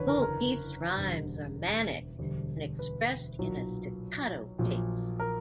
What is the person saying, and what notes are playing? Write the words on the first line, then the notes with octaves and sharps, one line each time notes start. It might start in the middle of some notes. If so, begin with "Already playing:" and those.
Kool Keith's rhymes are manic and expressed in a staccato pace.
Already playing: F#1 E2 D3 B4 C#5
A#4
A#4
E1 D2 D3 G3
E1 D2 D3 G3
B4
B1 A#2 F#3
A#1 A#2 F#3
A#4